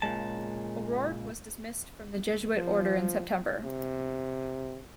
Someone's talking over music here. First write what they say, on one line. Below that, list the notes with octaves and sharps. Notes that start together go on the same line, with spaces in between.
O'Rourke was dismissed from the Jesuit Order in September.
A#2 C#3 G#3 A5
F3
C3